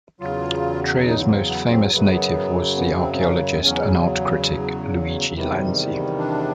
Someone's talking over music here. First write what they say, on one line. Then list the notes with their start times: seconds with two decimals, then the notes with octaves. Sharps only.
Treia's most famous native was the archaeologist and art critic Luigi Lanzi.
0.20 E2 C#3 F#3 F4
1.07 D#4
1.28 C4
1.49 B3
1.71 C4
1.92 F#2 C#3 F#3 B3
2.77 B3
2.98 C4
3.14 C4
3.20 C#4
3.62 E2 C#3 F#3 C#4
5.33 E2 C3 D#3 G3
6.18 D4